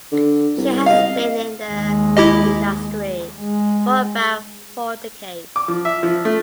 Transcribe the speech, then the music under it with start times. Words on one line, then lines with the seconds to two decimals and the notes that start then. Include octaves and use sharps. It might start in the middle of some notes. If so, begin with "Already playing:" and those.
She has been in the industry for about four decades.
0.12 D3
0.57 C2
0.86 D#5 F5
1.67 D#2 G#3
2.17 E4 G4 D#5
3.39 G#3
5.56 D6
5.68 F3
5.85 E5
6.03 F3
6.25 A3